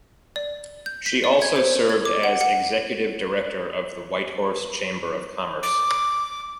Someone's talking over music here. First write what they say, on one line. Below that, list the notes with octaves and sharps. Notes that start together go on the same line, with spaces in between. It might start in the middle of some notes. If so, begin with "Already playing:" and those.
She also served as executive director of the Whitehorse Chamber of Commerce.
D5
G6
B6
D5
G#6
C5
G#6
D6
F#5
F#5
D6